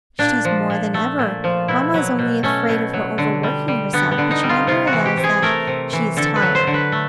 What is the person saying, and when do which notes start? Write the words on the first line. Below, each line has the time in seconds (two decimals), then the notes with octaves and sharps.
'She does more than ever: mamma is only afraid of her overworking herself, but she never allows that she is tired.
0.19 A#2 D4
0.45 F3
0.70 A#2
0.94 A3
1.19 A#2
1.44 F3
1.68 B2 E4
1.94 F#3
2.19 B2
2.43 A3 C#4
2.69 B2
2.93 F#3
3.18 D3
3.43 G3
3.68 G3
3.93 D3 B3
4.11 B3
4.18 D3
4.31 D#4
4.43 G3
4.49 F4
4.67 C3 F4
4.87 F#4
4.92 E3
5.06 G4
5.17 C3
5.24 G#4
5.42 A3 A#4
5.67 C3
5.93 E3
6.17 D3 A4
6.36 B4
6.42 F#3
6.55 C5
6.67 D3
6.74 B4
6.92 A3